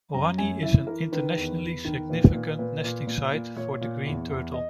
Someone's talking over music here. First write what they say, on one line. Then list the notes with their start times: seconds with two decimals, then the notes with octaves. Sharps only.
Hoani is an internationally significant nesting site for the Green turtle.
0.14 F#2 A#5
0.38 F#2 G#5
0.63 E3 E5
0.87 E3 A#4
1.12 D#3 B4
1.36 E2
1.61 E2
1.85 D#3
2.09 A#2 B4
2.34 A#2
2.59 A#2 B4
2.84 A#2
3.07 A#2
3.32 A#2
3.56 A#2 C#5
3.81 A#2
4.06 E2
4.30 E2
4.54 D#5